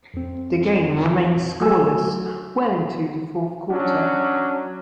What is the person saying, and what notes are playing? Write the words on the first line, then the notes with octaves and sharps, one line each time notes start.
The game remained scoreless well into the fourth quarter.
F2 C4
F#3 A3 F#4 A4 G#5 E6
F#3 C#4 D4